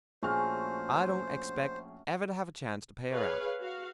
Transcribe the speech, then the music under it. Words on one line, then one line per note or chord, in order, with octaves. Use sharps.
I don't expect ever to have a chance to pay her out.
A#1 A3 C#4 F#4 G#4 C5 F6
G#4 B4 C#5 F5
F#4 F5